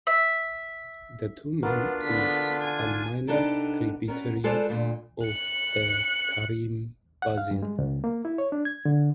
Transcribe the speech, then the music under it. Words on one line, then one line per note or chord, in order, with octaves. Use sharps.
The Tuman is a minor tributary of the Tarim Basin.
E5
B3 D4 F4 F#4 A#4
D3 B3 B6
G#5
C3 B3 D4 D#4 A4 A#4
B3 C#4 A#4
G#3 F4 A4 B4 C5 D5
D2 A#2 D3
F#6 C#7
F#5
F5
G2
G#3
C#2
A#3
E4
C#5
D4
G#6
D3